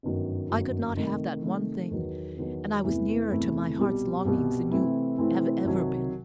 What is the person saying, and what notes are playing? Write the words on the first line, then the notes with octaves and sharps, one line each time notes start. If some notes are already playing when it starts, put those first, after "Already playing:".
I could not have that one thing, and I was nearer to my heart's longings than you have ever been.
G1 F#2 D#3 F#3
G1 F#2 D#3 F#3
C3 D#3 A3
C3 D#3 A3
E2 D#3 F#3 B3
E2 D#3 F#3 B3
E2 C3 E3 A3 E4
E2 C3 E3 A3 E4
C2 B2 G3
C2 B2 G3
C3 E3 A3 C4 E4
C3 E3 A3 C4 E4
C2 C3 D#3 F#3